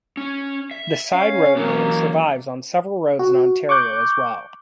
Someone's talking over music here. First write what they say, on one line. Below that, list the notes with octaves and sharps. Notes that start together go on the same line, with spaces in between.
The "side road" name survives on several roads in Ontario as well.
C#4
E5
C#4 F5
E3 F#3 A#3 C#4 G4
F#4
C#6 D6 F#6 G6